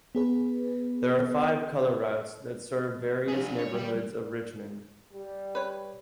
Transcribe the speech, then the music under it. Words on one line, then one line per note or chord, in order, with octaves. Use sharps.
There are five color routes that serve various neighborhoods of Richmond.
B3 G#4 B4
D4 G#4
C#5
G3
G3
B4 C#5